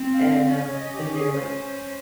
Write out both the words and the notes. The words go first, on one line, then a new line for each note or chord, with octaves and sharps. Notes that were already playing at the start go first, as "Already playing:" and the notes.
and, um, then they're like
Already playing: C4
F5
C#4 C#5
D#5
G4
G#4
C5